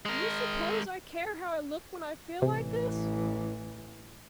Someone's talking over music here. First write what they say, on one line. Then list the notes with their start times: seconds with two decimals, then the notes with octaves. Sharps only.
"Do you suppose I care how I look when I feel like this?"
0.05 G#3 A#4
2.42 A1 C3 E3